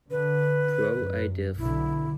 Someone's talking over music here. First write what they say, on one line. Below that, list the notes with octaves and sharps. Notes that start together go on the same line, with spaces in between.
Pro I Div.
D3 B4
F#2
B1 D3 E4